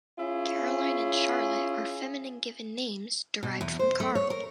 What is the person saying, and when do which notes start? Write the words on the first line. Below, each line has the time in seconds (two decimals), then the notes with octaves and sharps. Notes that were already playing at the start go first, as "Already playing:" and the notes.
Caroline and Charlotte are feminine given names derived from "Carl".
0.18 C#4 E4 F4 G#4
3.43 B2
3.61 E2
3.79 C5
4.00 A3
4.15 C#5
4.30 A#4